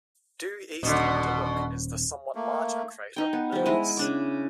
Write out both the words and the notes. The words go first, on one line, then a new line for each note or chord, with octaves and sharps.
Due east of Deluc is the somewhat larger crater Lilius.
D#1 B2 D3
A3 A#3
D#4 G5
B3
F3 G3
G#3 E4 D#5
C#3 D4 D6